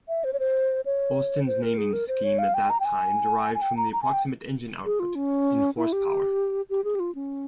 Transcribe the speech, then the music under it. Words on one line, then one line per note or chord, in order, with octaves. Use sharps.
Austin's naming scheme at that time derived from the approximate engine output, in horsepower.
E5
C5
C#5
C5
C#5
C5
A#4
G#4
A#4
C5
C#5
F5
G5
A#5
G5
G#5
G#5
G5
A#5
A#5
G#5
G5
G#4
F4
C#4
E4
G4
G4
G#4
G4
F4
C#4